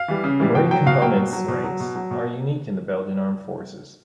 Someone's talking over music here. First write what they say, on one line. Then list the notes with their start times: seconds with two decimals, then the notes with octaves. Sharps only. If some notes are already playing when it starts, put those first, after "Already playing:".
The Marine Component's ranks are unique in the Belgian Armed Forces.
Already playing: F5
0.08 E3 G3
0.24 C#3
0.40 E3 G3
0.55 B2 G5
0.71 F#3 G5
0.86 B2 F5
1.02 F#3 G5
1.17 B2
1.33 F#3
1.48 B2
1.64 F#3
1.80 B2
1.96 F#3
2.11 B2